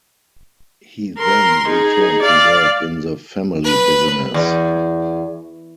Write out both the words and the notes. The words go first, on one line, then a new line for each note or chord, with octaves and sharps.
He then returned to work in the family business.
A#4 C6
D#4 G#4
D5 F5
B4
E2